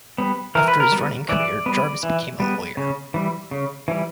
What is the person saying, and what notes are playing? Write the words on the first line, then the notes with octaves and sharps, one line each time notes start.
After his running career, Jarvis became a lawyer.
G3 B3
E3 A#4
B4
A#4
G3 B3
E3 D5
G3 B3
E3
G3 B3
C#3
E3 G3
C#3
E3 G3